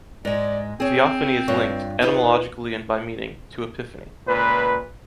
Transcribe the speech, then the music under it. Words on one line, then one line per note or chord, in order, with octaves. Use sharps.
Theophany is linked, etymologically and by meaning, to epiphany.
G#2 G#3 D5
C4 G#4 C#5
G2 F4 C#5
D#4 F4 B4
C#2 A#2 B4